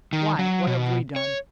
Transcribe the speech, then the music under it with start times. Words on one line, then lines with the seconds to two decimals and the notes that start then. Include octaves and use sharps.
"Why, what have we done?"
0.13 D#3
0.39 F#3
0.67 B2
1.16 C#5